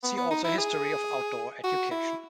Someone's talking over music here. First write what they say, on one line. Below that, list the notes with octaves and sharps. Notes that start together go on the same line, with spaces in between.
See also History of outdoor education.
B3
B3
D#4
E4
G#4
F#4
E4